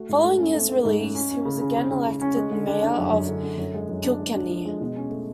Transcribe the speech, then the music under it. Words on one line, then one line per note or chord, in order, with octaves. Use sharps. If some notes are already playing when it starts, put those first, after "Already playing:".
Following his release he was again elected mayor of Kilkenny.
Already playing: A3 F#4
G#2
A3
C#4
A3
A3
G#2
C#4
C#4
C#4
C#3
C#3
C#3
C#3
C#3
C#4
G#3
D3
D4
D4
F#2
F#2
D3
D3
F#2
G#3
F#2
D4
G#3
D4
F3
G#3
B2
C#4
A3